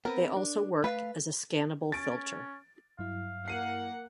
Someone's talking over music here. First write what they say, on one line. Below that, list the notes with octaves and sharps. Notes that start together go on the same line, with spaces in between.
They also work as a scannable filter.
B3 C4 A#4 B4
D4
A3 B4 E5 F5
C#4 A6 D7
G2 F#3 E4 F5
A#3 F#5 C7 D#7